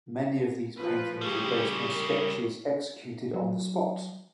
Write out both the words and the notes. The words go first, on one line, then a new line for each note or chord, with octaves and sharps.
Many of these paintings were based on sketches executed on the spot.
F3 F4 B4
C#3 G3 G4 G#4
A#4
F#3